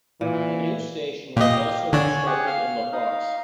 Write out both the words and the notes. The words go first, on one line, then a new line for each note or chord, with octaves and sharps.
A new station was also constructed in LaFox.
A#2 E3
A#2 G4 D#5 F5
D3 D4 C#5 G#5
G4 G#4 F#5
F5 F6
D#4 F5